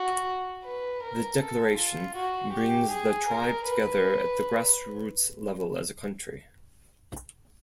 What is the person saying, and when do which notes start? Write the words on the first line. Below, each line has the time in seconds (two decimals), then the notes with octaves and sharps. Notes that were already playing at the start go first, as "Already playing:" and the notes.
The Declaration brings the tribe together at the grassroots level as a Country.
Already playing: F#4
0.65 B4
1.03 A#4
1.40 A4
1.78 F4
2.16 F#4
2.54 G4
2.91 G#4
3.29 A#4
3.67 B4